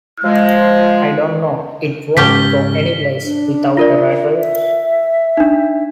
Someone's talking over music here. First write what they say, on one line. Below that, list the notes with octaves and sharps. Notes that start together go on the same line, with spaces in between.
I don't know, it won't go anyplace without a rattle!
F3 G#3
G#2 C#3 C#4 G4 A4 B6 G7
D4
F4 A#4 D5
E5
D4 D#4